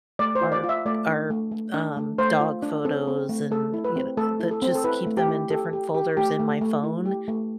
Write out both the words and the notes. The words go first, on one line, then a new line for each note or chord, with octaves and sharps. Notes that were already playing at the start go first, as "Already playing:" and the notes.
our our, um, dog photos and, you kno uh, that just keep them in different folders in my phone,
A3 D5
C5
F4
D5
F4
E5
A3 D5
D4
A3
A3
D4
A3
A3 C5
F4
D4
C4 A4
C4
A3
A3 A4
E4
B4
C4
A3 A4
E4
A4
C4
A4
E4 B4
A3
G4
E4
G4 A4
G4
G4
A3 G4
A3
A3
E4
G4
A3